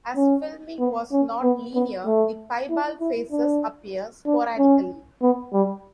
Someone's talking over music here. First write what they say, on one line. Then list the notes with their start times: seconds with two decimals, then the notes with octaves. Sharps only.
As filming was not linear, the piebald faces appear sporadically.
0.16 C#4
0.79 B3
1.12 C#4
1.43 B3
1.75 B3
2.07 A3
2.70 E4
3.00 E4
3.32 D4
4.26 D4
4.58 C#4
5.22 B3
5.53 G3